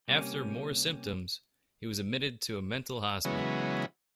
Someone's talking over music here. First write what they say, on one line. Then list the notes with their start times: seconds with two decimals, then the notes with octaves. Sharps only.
After more symptoms, he was admitted to a mental hospital.
0.08 C3 G3 A#3 C4 C#4
3.25 C#3 E3 F#3 G#3 B3